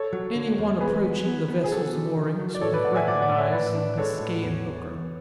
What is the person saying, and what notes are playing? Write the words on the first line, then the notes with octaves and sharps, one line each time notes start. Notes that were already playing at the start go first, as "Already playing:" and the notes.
Any one approaching the vessel's moorings would have recognized a Biscayan hooker.
Already playing: A4 C#5
F#3
D3
E2
B3 G#4 B4
B3
B3
B3
G#4
F#3 A4
D3
D3
F#3
D5
A2 A4 C#5
B4 D5
A2 D5 F#5
E5 G#5
A2 D5 F#5
D5 F#5
A2
C#5 E5
A2 B4 D5
D4
G#3 A4 C#5
A2
E2